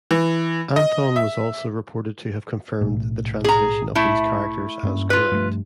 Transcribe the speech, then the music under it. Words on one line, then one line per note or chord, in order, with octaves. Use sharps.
Anthon was also reported to have confirmed the translation of these characters as correct.
E3
D#5
E5
B1 A2
G#4 A#5
A3 E4
G2 A#3 C#4
F4 B4
G2 F3 A3